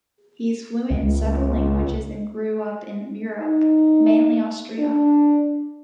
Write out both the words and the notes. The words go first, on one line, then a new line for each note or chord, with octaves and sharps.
He is fluent in several languages and grew up in Europe, mainly Austria.
C#2
D#4
D4